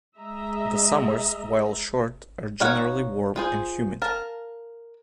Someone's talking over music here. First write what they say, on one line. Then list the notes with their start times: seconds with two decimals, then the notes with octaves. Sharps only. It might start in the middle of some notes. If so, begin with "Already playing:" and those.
The summers, while short, are generally warm and humid.
0.18 G#3 D#5 E5 A#5
2.60 D#4 C#5 F5 F#5
3.36 F4 G#4 C5
4.02 A#4 F5 A5